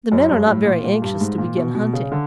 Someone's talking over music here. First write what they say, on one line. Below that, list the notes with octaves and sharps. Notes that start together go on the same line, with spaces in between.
The men are not very anxious to begin hunting.
F#2
G2
A2
A#2
A#2
G2
G#2
A#2
B2
B2
C#3
D3